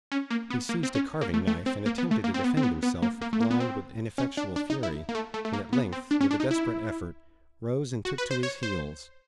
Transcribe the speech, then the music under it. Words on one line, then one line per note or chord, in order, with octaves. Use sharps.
He seized a carving-knife and attempted to defend himself with blind but ineffectual fury, and at length, with a desperate effort, rose and took to his heels.
C#4
A#3
B3
A#3
C4
C#4
A#3
A3
A3
C4
A#3
B3
A3
A#3
C4
B3
C4
B3
B3
A#3
A#3
A3
A#3
B3
C4
C#4
D4
D4
D#4
E4
A#3
A3
A3
A3
A#3
B3
C4
D4
C#4
D4
D#4
E4
F#4
B4
C5
C#5
C5